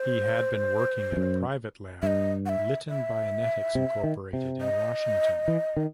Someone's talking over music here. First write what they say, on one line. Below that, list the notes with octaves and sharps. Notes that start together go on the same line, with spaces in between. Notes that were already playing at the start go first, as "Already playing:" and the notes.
He had been working at a private lab, Litton Bionetics Incorporated in Washington.
Already playing: C5
E2
F#2
G2 D#5 E5
F#5
E5
E5
C3
D#3
C3
D#5
E3
D#3